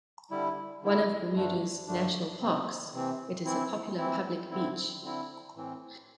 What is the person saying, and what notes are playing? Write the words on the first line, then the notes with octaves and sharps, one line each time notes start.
One of Bermuda's national parks, it is a popular public beach.
D3 G3 E4
D3 G3 E4
G2 D3 A3 D4
G2 D3 A3 D4
C3 E3 C4
C3 E3 C4
E3 C4 E4
E3 C4 E4
D3 C4 E4
D3 C4 E4
A2 E3 C4